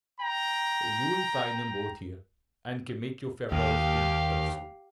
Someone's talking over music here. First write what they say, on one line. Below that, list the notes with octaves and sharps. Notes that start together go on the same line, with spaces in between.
"You will find them both here, and can make your farewells in person."
G5 A#5
D#2 G4 F5